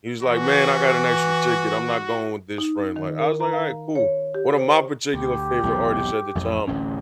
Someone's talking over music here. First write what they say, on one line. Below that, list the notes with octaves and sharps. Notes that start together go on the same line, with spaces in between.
he's like, "Man, I got an extra ticket. I'm not going with this friend." Like, I was like, "Alright, cool." One of my particular favorite artists at the time,
E3 F#4
D#4
D#3
A#4
A#5
F5
C#5
G4
C5
D2 G4
B1 E2 C3
A1 F2 A3
D1 A1 C#4